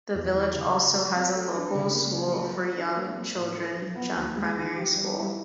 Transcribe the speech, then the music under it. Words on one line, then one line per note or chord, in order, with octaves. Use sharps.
The village also has a local school for young children, Jump Primary School.
E2
E3
C#3
F#3
F#3
C4
A3
D4
C#3
A#3
F#3
F#3
F#3
D4
A#3
C4
A2
A3
F3
B3
D#2
G#3
D#3
G4
G3
E4